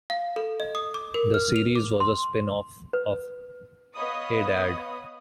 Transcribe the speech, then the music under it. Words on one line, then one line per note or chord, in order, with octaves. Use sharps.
The series was a spin-off of Hey Dad...!
F5
A4
D#5
D#6
D6
A#4
F6
F7
D6
C6
B4
B3 C#5 D#5 F5 B5 D#6